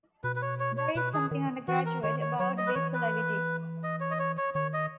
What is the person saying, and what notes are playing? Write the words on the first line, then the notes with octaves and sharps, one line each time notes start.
There is something undergraduate about this levity.
B2 B4
B4
C#5
C#5
C#5
B2 B4
D#3 G#4
D#3
E3 F#4
A#4
D#3 C#5
C#5
F#3 C#5
D#5
B4
E3 C#5
B4
D#5
C#5
D#5
C#5
C#5
D#3 C#5
D#5